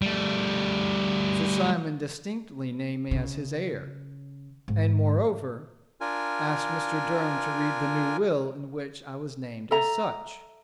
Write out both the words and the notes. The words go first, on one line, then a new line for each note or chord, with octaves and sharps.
"Sir Simon distinctly named me as his heir, and, moreover, asked Mr. Durham to read the new will in which I was named as such."
G3 A3
C#3
G#2
D4 F4 A#4 G#5
A4 E5 A#5